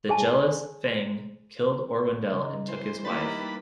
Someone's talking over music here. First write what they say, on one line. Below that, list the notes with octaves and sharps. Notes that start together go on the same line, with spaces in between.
The jealous Feng killed Orwendel and took his wife.
G#4 G#5 A5
C#3 D#4
E3 C5
G3 A#3 D#4 E4 G4 B4 B5 A6